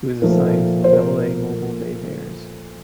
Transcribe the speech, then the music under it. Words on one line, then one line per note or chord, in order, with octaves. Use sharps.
He was assigned to the Double-A Mobile BayBears.
A#2 F3 A3 A#4
C5
A#4